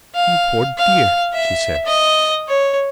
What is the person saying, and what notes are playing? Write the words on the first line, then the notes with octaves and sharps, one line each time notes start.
"You poor dear!" she said.
F5
F5
E5
D#5
C#5